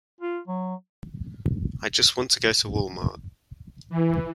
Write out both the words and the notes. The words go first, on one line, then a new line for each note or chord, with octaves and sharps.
I just want to go to Wal-Mart.
F4
F#3
E3